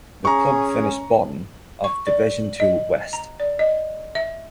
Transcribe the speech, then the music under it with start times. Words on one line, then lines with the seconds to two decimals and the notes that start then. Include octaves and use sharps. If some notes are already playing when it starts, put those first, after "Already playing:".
The club finished bottom of Division Two West.
0.25 C#4 G#4 A#5 C#6
1.84 C#6
2.07 D5
2.60 D#5
3.13 A#5
3.40 D5
3.59 D#5
4.15 E5